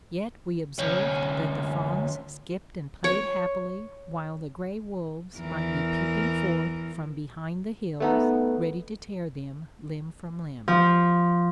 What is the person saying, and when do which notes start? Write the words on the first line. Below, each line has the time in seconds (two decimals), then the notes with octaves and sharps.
Yet we observed that the fawns skipped and played happily while the gray wolves might be peeping forth from behind the hills, ready to tear them limb from limb.
0.79 D2 C#4
3.04 C#5
5.37 E2 E3 A#4
8.00 A3 B3 D#4
10.68 F3